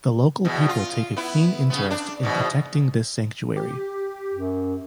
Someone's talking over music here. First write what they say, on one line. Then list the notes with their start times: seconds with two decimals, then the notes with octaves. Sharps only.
The local people take a keen interest in protecting this sanctuary.
0.45 E2 B2
0.69 F4
1.17 B3 E4
1.70 C#3 B3
1.90 D4
2.23 E2 G#2 B2
3.57 G4
4.33 F#2